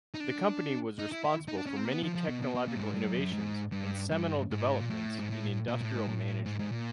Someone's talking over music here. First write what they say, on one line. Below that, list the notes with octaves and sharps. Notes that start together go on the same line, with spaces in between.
The company was responsible for many technological innovations and seminal developments in industrial management.
D#4
D4
D#4
E4
E4
D#4
D4
C#4
C4
A#3
B3
F3
F3
B2
B2
B2
A#2
G2
G#2
G2
F#2
F#2
G#2
G2
G2
G#2
A#2
A2
G#2
A2
A#2
A2
G#2
A2
G#2
G#2
A#2